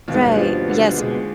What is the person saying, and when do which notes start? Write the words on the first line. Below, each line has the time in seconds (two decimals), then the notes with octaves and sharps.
Right, yes,
0.08 D#2 B2
0.14 G#2
0.22 G2 B2
0.37 F3
0.67 D3
0.97 B2 G#3